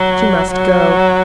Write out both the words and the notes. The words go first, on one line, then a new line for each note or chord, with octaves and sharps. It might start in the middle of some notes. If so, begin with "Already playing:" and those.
She must go.
Already playing: F#3
F#3